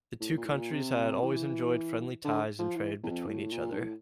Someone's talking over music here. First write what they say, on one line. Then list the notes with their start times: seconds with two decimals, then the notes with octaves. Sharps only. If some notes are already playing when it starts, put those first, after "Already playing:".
The two countries had always enjoyed friendly ties and trade between each other.
0.20 A2
0.37 A#2
0.45 A2
0.55 A#2
0.72 C3
1.22 E3
2.25 D3
2.59 F3
2.76 E3
3.03 E2
3.10 F2
3.27 A2
3.52 A#2
3.72 G2
3.78 A2